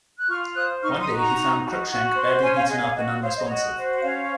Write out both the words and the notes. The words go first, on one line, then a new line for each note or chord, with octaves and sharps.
One day he found Crookshank badly beaten up and unresponsive.
F#6
F4 C#6 F6
C5 D#6 F#6
D#4 C#6 F6
C6 D#6
F#4
A#5 C#6
D#4
F#4
F#4
C5
C#4 G#5 C6
F5 G#5
G#4 D#5 F#5
C#5 F5
F#4 D#5
C5 C#5 F5
D#5
C#5
F#4 D#5
C5
C#4 C#5 F5